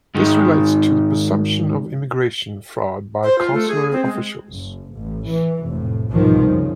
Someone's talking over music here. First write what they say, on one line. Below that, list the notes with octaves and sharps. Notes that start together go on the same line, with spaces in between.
This relates to the presumption of immigration fraud by consular officials.
G#2 D#3
C5
F4
A3
G#4
C4
G#3
F#1
A1
E3
F1 A2
C2 G#2 B2 D#3 F3 G3
F#2 C#3